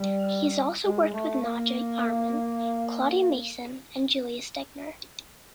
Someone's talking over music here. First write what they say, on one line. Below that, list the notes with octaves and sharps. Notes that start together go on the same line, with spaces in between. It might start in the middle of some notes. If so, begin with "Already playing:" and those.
He has also worked with Nadja Auermann, Claudia Mason and Julia Stegner.
Already playing: G3
G#3
A3
A#3